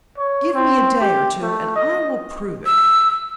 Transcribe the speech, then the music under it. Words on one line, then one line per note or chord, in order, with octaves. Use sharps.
Give me a day or two and I will prove it.
C#5
C4
G4
A3
D#5
E6